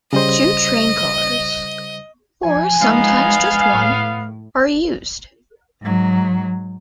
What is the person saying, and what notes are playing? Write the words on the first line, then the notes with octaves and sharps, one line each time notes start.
Two train cars, or sometimes just one, are used.
C#3 G3 C5 D#5
F3 G#5
F3 G#3 B3 D#4 F5
A2
G#2 F#3